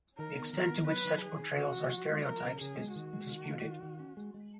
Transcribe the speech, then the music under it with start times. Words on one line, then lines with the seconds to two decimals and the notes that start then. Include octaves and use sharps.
The extent to which such portrayals are stereotypes is disputed.
0.18 D#3 A#4
0.35 B3
0.53 D#3 A#4
0.70 B3
0.88 F#3 B4
1.05 D#3
1.22 D#3 G#4
1.40 D#3
1.56 C#3 F#4
1.74 F3
1.92 F3
2.09 G#3
2.26 F3 A#4
2.44 C#3
2.61 C#3 G#4
2.78 G#3
2.95 D#3 F#4
3.13 G#3
3.30 D#3
3.48 D#3
3.65 D#3
3.83 D#3
3.99 C#4
4.17 G#3
4.34 G#3